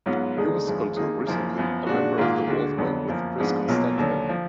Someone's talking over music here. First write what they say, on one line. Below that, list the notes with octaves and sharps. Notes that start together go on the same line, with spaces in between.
He was until recently a member of The Wolfmen with Chris Constantinou.
G#2 F#3 B3 F4
D#2 D3 G#3 D#4 G#4
G#1 F#2 F3 G#3
D#2 D#3 A#3 D#4 G#4
F#1 F#2 F3 A#3
F#2 F3 B3
A#2 G#3 D4 F#4
G#2 D#3 A#3 F4 G#4
D2 D3 G#3 D4 F#4
F2 D3 F#3 B3
F#2 F3 A#3
G#2 F3 B3 D4 G#4
B1 B2 F#3 A#3 F4
D#2 D3 F#3
F3